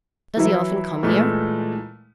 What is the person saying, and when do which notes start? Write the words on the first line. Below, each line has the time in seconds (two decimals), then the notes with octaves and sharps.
"Does he often come here?"
0.37 E3 F#3 E4
1.03 A#2 E3 G#3 A3